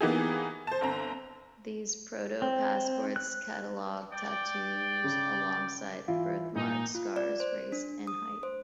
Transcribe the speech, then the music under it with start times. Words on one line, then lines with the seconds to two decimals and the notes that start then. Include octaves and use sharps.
These proto-passports catalogued tattoos alongside birthmarks, scars, race, and height.
0.01 E3 A#3 B3 D#4 G4 G#4
0.67 C5 A5
0.81 G1 C4 A#5
2.42 C4
3.16 F#6
4.12 D5 G5
5.04 C#3
6.08 E3 E4 F4
6.55 A#2 D#4
6.95 F4
7.16 D5
7.40 C5
7.72 D4
8.07 D#6
8.43 C5